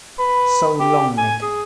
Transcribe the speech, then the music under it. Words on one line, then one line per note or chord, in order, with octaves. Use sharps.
So Long, Mick!
B4
G4
G#5
G#4